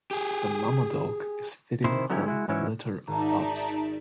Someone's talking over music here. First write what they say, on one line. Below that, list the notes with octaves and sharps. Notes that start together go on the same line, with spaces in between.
The momma dog is feeding her litter of pups.
G4 G#4
C3 D#3 E4 C5
D3 F#3 B3 C#4 E4 G4
G#3 E4 F#4
G#2 E3 F#3 C#4 E4
G#1 D#4 D5 E5 A5 A#5